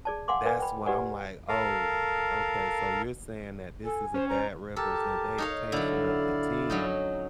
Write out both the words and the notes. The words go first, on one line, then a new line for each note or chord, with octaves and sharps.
that's when I'm like, "Oh, okay. So you're saying that this is a bad representa tion of the team,
G#4 D5 A5
F5 F#5 G#5 C6 D6
A#4 B4 D5 G#5
G5 B5
G4 B4 D5 F#5 G#5
A4 A#4 F5
A4 G#5
C#4 C5
C5 A#5
G4 A4 A#4 A5
D#4 C#5 F5
D3 F#3 E4 D5 F5
F#3 C#4 D#4